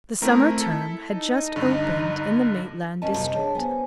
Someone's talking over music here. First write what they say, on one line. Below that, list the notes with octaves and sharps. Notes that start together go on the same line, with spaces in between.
The summer term had just opened in the Maitland district.
A3 C4 E4 A#4
A4
D#4 D#5
G2 D3
D#2 C#4 D#5 A5 A#5
C3 G3
D4 G#4 C#5 A5
B3 C5 G#5